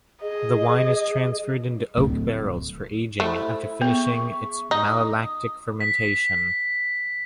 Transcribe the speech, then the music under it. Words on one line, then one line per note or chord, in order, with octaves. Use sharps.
The wine is transferred into oak barrels for aging after finishing its malolactic fermentation.
G#4 D#5
D1 D3
A3 E4 C5 B5
B3 G#4 E5 C#6
D#4 D#6
B6